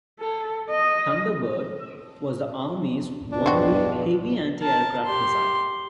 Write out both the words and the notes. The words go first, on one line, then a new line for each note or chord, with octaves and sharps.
Thunderbird was the Army's only heavy anti-aircraft missile.
A4
D#5
E2 G2 B2 D4
C4 F#4
A#4 A5
G4 C6